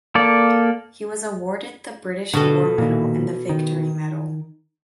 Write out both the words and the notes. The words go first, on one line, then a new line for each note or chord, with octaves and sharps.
He was awarded the British War Medal and the Victory Medal.
A#3 A4 D5
B2 D3 A4
A#2 D#3
D#3